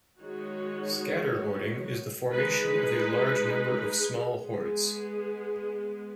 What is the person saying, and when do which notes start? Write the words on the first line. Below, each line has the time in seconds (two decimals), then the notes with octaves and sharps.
Scatter hoarding is the formation of a large number of small hoards.
0.20 D#3 G#3 D#4 F#4 C#5
2.32 G#3 D#4 G#4 B4
4.43 G#3 B3 G#4